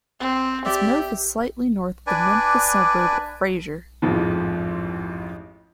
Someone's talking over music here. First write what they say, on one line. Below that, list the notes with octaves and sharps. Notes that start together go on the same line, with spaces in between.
Its mouth is slightly north of the Memphis suburb of Frayser.
C4
G4 D5 E5
D4 B4 D5 G#5
A1 F2 G#2 F3